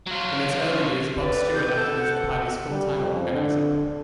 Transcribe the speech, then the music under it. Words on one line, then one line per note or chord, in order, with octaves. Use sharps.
In its early years, Bob Stewart acted as the party's full-time organiser.
F#3 F4
A3 G4 B4 D5
G6
A4
F#5
G3
F2
D3